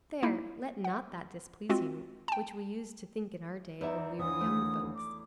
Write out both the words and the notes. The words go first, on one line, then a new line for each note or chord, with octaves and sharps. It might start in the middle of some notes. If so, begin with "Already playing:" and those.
There, let not that displease you which we used to think in our day, when we were young folks.
A#3 D#4 E4
F#5
G#3 C4 F4 F#4
G5 A5
E2 D#4 B4 D5 E5
D#2 D3 E3 D#6
A3
D6